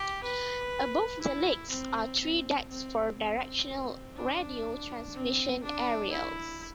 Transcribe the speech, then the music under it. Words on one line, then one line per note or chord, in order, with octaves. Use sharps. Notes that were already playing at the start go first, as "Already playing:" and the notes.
Above the legs are three decks for directional radio transmission aerials.
Already playing: G4
B4
E4
C4
C4
C4
C4
D4
C4
D4
E4